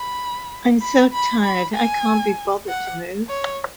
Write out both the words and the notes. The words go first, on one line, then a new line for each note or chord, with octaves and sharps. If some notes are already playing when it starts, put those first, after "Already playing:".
I'm so tired, I can't be bothered to move.
Already playing: B5
B5
B5
B5
G#5
F#5
C#5